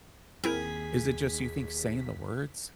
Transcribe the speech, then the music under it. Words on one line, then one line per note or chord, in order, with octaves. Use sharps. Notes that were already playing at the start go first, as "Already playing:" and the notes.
Is it just you think saying the words?
D#2 C4 E4 G#4 A#4 B6